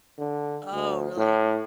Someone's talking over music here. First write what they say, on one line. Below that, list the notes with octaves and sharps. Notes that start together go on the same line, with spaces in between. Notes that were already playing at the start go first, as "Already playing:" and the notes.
Oh, really?
D3
D2
A2